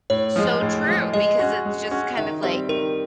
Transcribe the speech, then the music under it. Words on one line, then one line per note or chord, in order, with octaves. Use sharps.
so true because it's just kind of like,
A2 C#5
F3 G#3
A2
F3 G#3
G#3 D#5
C#4 F#4
G#3
C#4 F#4
D#3 E5
G3 C4 E5
D#3 A#4